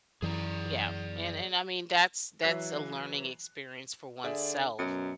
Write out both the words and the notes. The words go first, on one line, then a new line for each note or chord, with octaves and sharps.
Yeah, and and I mean, that's that's a learning experience for oneself,
F#2 E3 G#4 D5 A#5
E3 F#3 E5 F#6 C7
D3 G#4 D5 E5
F#2 B2 C#7